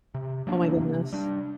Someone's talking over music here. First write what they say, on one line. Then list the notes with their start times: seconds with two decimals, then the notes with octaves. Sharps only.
Oh my goodness.
0.14 C3
0.47 F#3 A#3 D4
0.80 C3
1.13 G3 D4